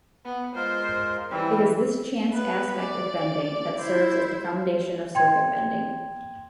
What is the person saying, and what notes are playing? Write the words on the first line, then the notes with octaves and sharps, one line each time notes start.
It is this chance aspect of bending that serves as the foundation of circuit-bending.
B3
G#3 F4 A#4 C5
E3 G3 C4
B3 B4
D5
E4 C5
G5 C6 G#6